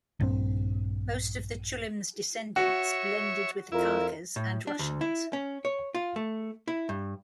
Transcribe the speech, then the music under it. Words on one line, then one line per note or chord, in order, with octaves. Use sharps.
Most of the Chulyms' descendants blended with the Khakas and Russians.
A#1 G2 F3 C4
F#4 C#5 E5
F2 E4 F4 A#4
A2
D4
D2
E4
C#4
C#5
F4
A3
E4
G2